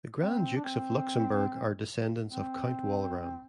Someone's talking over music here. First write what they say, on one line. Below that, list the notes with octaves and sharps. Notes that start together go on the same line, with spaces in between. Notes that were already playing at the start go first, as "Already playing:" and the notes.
The Grand Dukes of Luxemburg are descendants of count Walram.
C4
D4
C4
C4